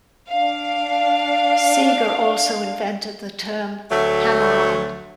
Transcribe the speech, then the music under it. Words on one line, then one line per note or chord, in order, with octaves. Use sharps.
Seeger also invented the term "hammer-on".
D4 F5
D2 F#3 A3